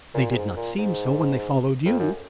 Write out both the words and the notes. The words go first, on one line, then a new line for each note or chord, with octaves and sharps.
"They did not seem so when they followed you."
A#2
A#2
G#2
A#2
G#2
F2
F#2